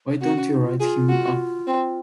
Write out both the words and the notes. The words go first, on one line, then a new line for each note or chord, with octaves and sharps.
Why don't you write him up?
C4 F#4
C#4
D#4
F4
F4 G#4
F#4
C4